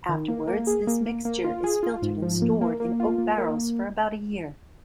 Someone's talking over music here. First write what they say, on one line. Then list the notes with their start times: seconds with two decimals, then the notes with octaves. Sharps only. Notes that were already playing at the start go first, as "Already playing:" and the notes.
Afterwards, this mixture is filtered and stored in oak barrels for about a year.
0.09 D#3
0.28 A#3
0.47 A#3
0.67 G#4
0.87 A#3
1.06 A#3
1.25 A#3
1.44 F4
1.64 G#4
1.83 F4
2.02 G#2
2.22 F3
2.42 A#3
2.61 A#3
2.80 A#3
3.00 F4
3.18 A#3
3.38 A#3